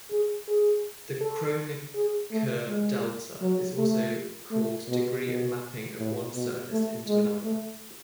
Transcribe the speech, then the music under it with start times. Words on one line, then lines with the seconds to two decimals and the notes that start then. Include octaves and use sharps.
The Kronecker delta is also called degree of mapping of one surface into another.
0.11 G#4
0.48 G#4
1.21 A4
1.95 G#4
2.31 A3
2.68 G#3
3.42 F#3
3.78 A3
4.52 A3
4.89 B2
5.25 B2
5.99 A2
6.35 B2
6.71 A3
7.08 G#3
7.45 A3